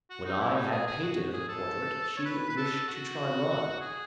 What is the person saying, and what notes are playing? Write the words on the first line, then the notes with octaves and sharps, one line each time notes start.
When I had painted her portrait, she wished to try mine.
F#4
D#4
E4
D#4
G#4
G#4
F#4
G#4
A4
C#5
B4
B4
A4
F#4
G#4